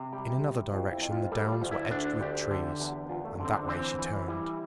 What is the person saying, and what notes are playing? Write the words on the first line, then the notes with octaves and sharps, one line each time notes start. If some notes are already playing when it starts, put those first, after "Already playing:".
In another direction the Downs were edged with trees, and that way she turned.
Already playing: C3
G3 G4
G3
F2 F4
E4
F2
F4
G3 A4
F4
D2
E4
D2 D4
D2 G4
D3 G4
E2
E2 F4
A3
D3 C4
D4
E3 C4
E3
G3 E4